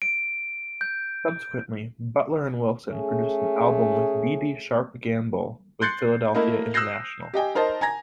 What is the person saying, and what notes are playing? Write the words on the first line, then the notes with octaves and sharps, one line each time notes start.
Subsequently, Butler and Wilson produced an album with Dee Dee Sharp-Gamble with Philadelphia International.
D7
G6
A3 C#4 G#4
C6 F#6 G6 A6 C7 C#7
A3 A#3 E4 A#4 D#5
D#6 E6 F#6 G6 A#6 C7
G4 D#5 G5 G#5
D#4 A#4 C5 D#5 A5
G#5 A#5 G#6 A#6